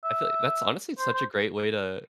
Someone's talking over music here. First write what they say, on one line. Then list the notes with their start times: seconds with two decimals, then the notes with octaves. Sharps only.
I feel, like that's honestly it's such a great way to uh,
0.04 E5
0.99 C5
1.14 C5